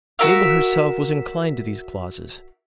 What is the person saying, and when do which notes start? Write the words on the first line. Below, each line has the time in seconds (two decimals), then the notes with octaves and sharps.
Mabel herself was inclined to these clauses.
0.19 F#4 A#4 E5 F5